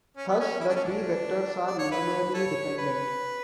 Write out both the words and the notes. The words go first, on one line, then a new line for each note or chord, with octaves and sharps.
Thus, the three vectors are linearly dependent.
C#4
B3
C#4
E4
D4
C#4
D4
D5
C#5
E4 B4
A4 C#5
B4